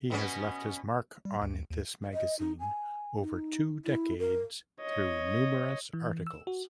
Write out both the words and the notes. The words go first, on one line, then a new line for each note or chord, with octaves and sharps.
He has left his mark on this magazine over two decades through numerous articles.
B2 B3 C#4
G3
D2
D#2
D#5
D#4
G#5
D#4
E4
A#4
C#5 D#5
E3
E6
F#4